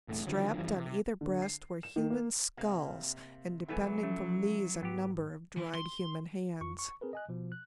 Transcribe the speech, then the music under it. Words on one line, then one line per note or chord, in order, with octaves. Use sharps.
Strapped on either breast were human skulls and depending from these a number of dried human hands.
E1 A2 A3
D3 D#3 F3 F#3
F#2 E3 F3 G3
C3
D3
C7
E7
D#3
A#3
C3 A#3 F5
E3 F#3 A3 B3 A4 D5 G#5
F3 A3 C#4 E5
G#2 B3 G4
E3
C6
F2 F4 C#6
C#6
C4 G#4 A#4 B4
D#5 G#5 F#6
B2 F3
F#6